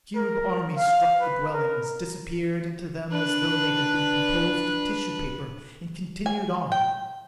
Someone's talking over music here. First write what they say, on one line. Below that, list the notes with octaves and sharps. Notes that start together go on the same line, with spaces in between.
The cube-army struck the dwellings, disappeared into them as though they had been composed of tissue paper, and continued on!
A#4
F5
B4
A#4
D4 B4
G#5
G5